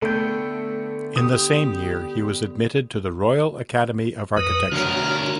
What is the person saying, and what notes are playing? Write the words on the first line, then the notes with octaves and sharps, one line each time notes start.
In the same year, he was admitted to the Royal Academy of Architecture.
D3 A3 B3 A4 G5
G4 D#6
F2 F#3 B4 D#6
D2 D4 F#4 A#4 C#5 F6